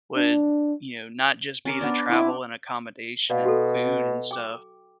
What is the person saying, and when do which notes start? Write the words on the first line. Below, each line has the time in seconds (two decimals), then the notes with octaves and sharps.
would, you know, not just be the travel and accommodation and food and stuff,
0.16 D4
1.65 C#4 A#4 D6
1.81 B3 D4 D5
2.09 C4 E4 D6
3.30 B2 D5 F5
3.45 F#4 A4
4.31 G5 D6